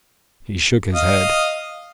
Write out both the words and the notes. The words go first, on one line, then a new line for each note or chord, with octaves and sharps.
He shook his head.
D#5 F5